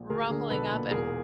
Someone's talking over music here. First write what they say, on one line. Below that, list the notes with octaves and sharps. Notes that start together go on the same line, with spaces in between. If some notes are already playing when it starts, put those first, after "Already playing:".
rumbling up and
Already playing: A#1
D2 G#4 A#4
D3 G#4 A#4
B1 A4 B4
A#2
E1 G#4 A#4